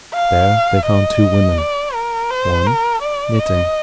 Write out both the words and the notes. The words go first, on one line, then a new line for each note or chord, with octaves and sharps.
There, they found two women; one, knitting.
F5
D#5
D5
A#4
C5
A#4
D5
D#5